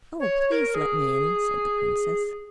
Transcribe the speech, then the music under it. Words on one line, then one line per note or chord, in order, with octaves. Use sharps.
"Oh, please, let me in!" said the princess.
C#5
C#5
A#4
G#4